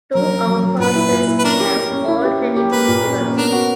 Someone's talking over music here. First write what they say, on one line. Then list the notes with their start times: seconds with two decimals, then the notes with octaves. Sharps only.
Two outparcels have already been developed.
0.15 F#3 A#4
0.31 C#4
0.47 F#3
0.63 F#3
0.79 A#2 B4
0.96 E4
1.11 A#2
1.28 E4
1.39 B4
1.44 C#4 D4 A#4
1.60 G4
1.76 C#4
1.92 C#4
2.08 E4
2.24 G4
2.40 A#3
2.57 G4
2.72 A#3 B4
2.88 A#2
3.05 C#4
3.20 C#4
3.37 B3 D4 A#4
3.52 F#4